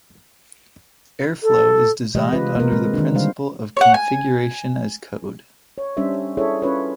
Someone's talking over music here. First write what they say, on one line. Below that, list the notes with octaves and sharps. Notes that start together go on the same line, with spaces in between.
Airflow is designed under the principle of "configuration as code".
A4
C3 E3 G#3 G4 D#5
F4 B4
A#3 A#4
G#3 C4
D#3 D4
D3 G3 C5 F5
C#5 F#5
G#5
C#5
G3 C#4 D4 C5 E5
E4 G#4 A4 C#5 E5
C#4 F4 B4 C#5